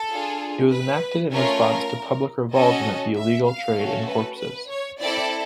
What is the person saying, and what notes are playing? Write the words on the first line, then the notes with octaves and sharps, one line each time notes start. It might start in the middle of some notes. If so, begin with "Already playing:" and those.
It was enacted in response to public revulsion at the illegal trade in corpses.
Already playing: A4
D4 F4 G#4
B4
A3 C#4 F4 A#4
C#4 F#4 A4 D#5
E5
F5
A3 C#4 F#4 A4
B4
B4
C#5
C4 E4 A4 D5